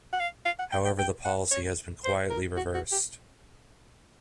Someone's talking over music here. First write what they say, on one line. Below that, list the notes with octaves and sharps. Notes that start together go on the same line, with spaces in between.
However the policy has been quietly reversed.
F#5
F5
F5
F#5
G5
G5
G5
F#5
C#5
C5
A#4
F#4
F#4
G4